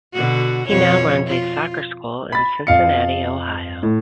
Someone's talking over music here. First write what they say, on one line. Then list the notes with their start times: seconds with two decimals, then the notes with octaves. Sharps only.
He now runs a soccer school in Cincinnati, Ohio.
0.14 B2 D3 F#4
0.68 F2 B2 C#5
1.27 F4
2.32 B5 A6
2.67 F2 F5 C#7
3.83 A2